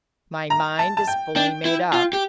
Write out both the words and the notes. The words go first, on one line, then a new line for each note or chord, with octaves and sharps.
"My mind is fully made up."
A#5
A5
A5
G5
D4 G5
E4
F4
G4